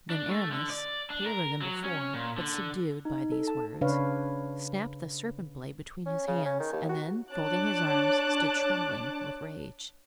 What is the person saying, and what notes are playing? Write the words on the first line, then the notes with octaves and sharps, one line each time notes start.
Then Aramis, paler than before, but subdued by these words, snapped the serpent blade between his hands, and then folding his arms, stood trembling with rage.
D4
A3
D3
D5
D4
A#4
F#3
C#4
A#2
D3
D#4
A4
A5
C#3 D4 B4 C#5 F5
C#4
C#3
C#4
D#3
D#2
F#4
D4 C#5 A5 D6 F#6